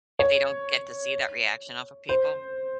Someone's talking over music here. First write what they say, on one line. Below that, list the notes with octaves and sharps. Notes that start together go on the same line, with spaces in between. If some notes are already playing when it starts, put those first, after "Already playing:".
If they don't get to see that reaction off of people,
C#5
C5